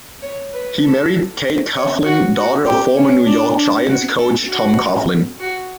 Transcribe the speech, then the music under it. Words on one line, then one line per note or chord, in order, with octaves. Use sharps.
He married Kate Coughlin, daughter of former New York Giants coach Tom Coughlin.
C#5
B4
A4
C#5
F#4
F#4
G4
C#4
D4
D4
F#4
A4
F#4
F#4